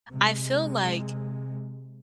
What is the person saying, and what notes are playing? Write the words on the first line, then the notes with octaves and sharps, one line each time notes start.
I feel like,
C3 G#3